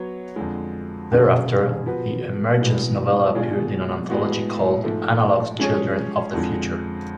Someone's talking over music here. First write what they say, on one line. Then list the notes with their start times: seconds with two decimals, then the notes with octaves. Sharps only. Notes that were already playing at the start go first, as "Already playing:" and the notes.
Thereafter the "Emergence" novella appeared in an anthology called "Analog's Children of the Future".
Already playing: F#3 B3 F#4 C#5
0.36 F2 D3 F3 G#3
1.12 F#2 D3 F#3 C#4 G#4
1.86 F3 B3 F#4 B4
2.60 A2 G#3 B3 F#4
3.35 B2 G#3 D4 F4 G#4
4.10 A2 G#3 B3 F#4
4.84 G#2 F3 A3
5.58 F3 G#3 C#4 G#4 C#5
6.34 F2 D3 F3 G#3